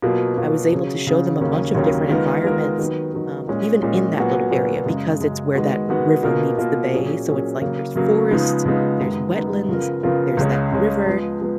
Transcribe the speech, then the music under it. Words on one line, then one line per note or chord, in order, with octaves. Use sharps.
I was able to show them a bunch of different environments, um, even in that little area because it's where that river meets the bay. So, it's like, there's forests, there's wetlands, there's that river
B2 F#3 A#3 F4
B2 F#3 A#3 F4
C#3 F#3 C#4 G#4
C#3 F#3 C#4 G#4
D#2 C#3 F#3 A#3 C#4
D#2 C#3 F#3 A#3 C#4
D#3 G#3 B3 F4 A#4
D#3 G#3 B3 F4 A#4
D#3 F#3 B3
D#3 F#3 B3
A#2 G#3 C#4
A#2 G#3 C#4
A#2 F#3 B3 F#4
A#2 F#3 B3 F#4
F#2 C#3 G#3
F#2 C#3 G#3
D#3 G#3 B3 F#4
D#3 G#3 B3 F#4
B2 A#3 F4 A#4
B2 A#3 F4 A#4
A#2 F#3 C#4 G#4
A#2 F#3 C#4 G#4
C#3 F#3 A#3
C#3 F#3 A#3
C#3 F3 G#3 B3 D#4
C#3 F3 G#3 B3 D#4
F#2 D#3 G#3 B3
F#2 D#3 G#3 B3
C#3 F3 B3 F4 A#4
C#3 F3 B3 F4 A#4
C#2 C#3 G#3 C#4
C#2 C#3 G#3 C#4
F3 G#3 B3
F3 G#3 B3